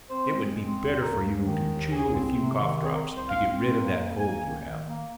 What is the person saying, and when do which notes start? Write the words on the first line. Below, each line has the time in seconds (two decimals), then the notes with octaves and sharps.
It would be better for you to chew a few cough drops to get rid of that cold you have.
0.09 C4 C5
0.32 G#3
0.54 C4
0.77 D#2
1.01 D#2 A#4
1.23 G#3
1.46 D#3
1.69 D#2
1.92 C2 G#4
2.15 C4
2.37 C3
2.59 D#3
2.83 C4 G#4
2.94 A#4
3.06 C2
3.17 C5
3.29 C4 F5
3.52 C4
3.74 A#3
3.96 F2
4.19 A#3 G#5
4.43 D#3
4.65 D#3
4.88 A#3